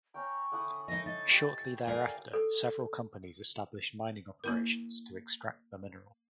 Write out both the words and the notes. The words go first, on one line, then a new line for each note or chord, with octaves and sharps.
Shortly thereafter several companies established mining operations to extract the mineral.
C#4 C#5 G5 A#5
E4 A4 F#5 D#6
D#4 A#4 D#5 A#6
D#4 A6
G4
A#4 D5 F5 G#5
A4
A#3 E4 A#4